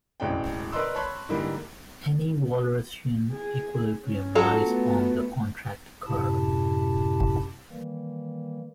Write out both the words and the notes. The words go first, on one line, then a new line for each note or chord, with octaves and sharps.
Any Walrasian equilibrium lies on the contract curve.
E1 A1 G#3 C#4 D5 G5
A#4 B4 D5 D#5 C6 E6
C#5 A5 B5 C6 F#6
G#2 D3 E3 G3 A#3
G#4
C#4
F#3 F4 A4
A3 B3
F#2 A2 C3 E4 G4 A5
D#3 E3 G3 A#3